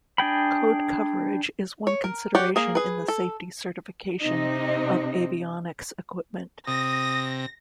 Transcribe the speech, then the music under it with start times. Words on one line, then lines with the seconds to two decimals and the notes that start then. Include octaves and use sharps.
Code coverage is one consideration in the safety certification of avionics equipment.
0.18 D4 G#4 G5 B5
1.87 C#5
2.04 A#4
2.35 G4 C#5 D5 F#5
2.56 A#3 G#4
2.75 G#4 B4
3.08 A4
4.21 C3 C4 D#4
6.68 C3 D#6 A#6